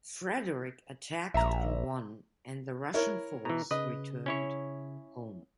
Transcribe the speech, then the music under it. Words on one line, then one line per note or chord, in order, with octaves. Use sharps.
Frederick attacked and won, and the Russian force returned home.
A#1 E5 A#5
E4 A#4 C#5
B2 E3 A#5
C#3 B4 D#5
C#4 E4 C#5